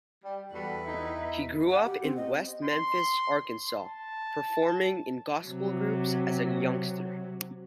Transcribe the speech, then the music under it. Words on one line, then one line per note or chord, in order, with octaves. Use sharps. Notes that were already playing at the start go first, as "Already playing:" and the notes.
He grew up in West Memphis, Arkansas, performing in gospel groups as a youngster.
G3
E2 G3 F#4 A4 B4
D#4 E4
F#5
G4
C4
D#5
C6
A5
C3 F#3